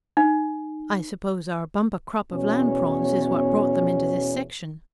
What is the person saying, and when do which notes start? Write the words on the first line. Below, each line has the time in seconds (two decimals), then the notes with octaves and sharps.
"I suppose our bumper crop of land-prawns is what brought them into this section?"
0.17 D#4
2.32 E2 B2 C#4 C#5